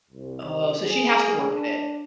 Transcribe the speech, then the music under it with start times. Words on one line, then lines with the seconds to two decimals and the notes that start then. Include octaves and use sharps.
Oh, so she has to work at it.
0.11 C2
0.80 G#4
1.47 D4